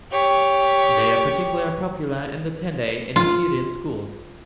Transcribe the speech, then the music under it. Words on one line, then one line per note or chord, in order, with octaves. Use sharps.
They are particularly popular in the Tendai and Nichiren schools.
G4 C#5
F4